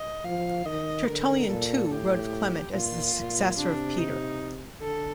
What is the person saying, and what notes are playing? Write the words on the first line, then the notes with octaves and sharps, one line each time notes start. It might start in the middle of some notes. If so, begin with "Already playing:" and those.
Tertullian too wrote of Clement as the successor of Peter.
Already playing: D#5
F3 F5
D#3 D#5
D3 A#4
A#2 A4
A2 G4
A#2 F4
A#2
C3 D4
D#4
D3 A4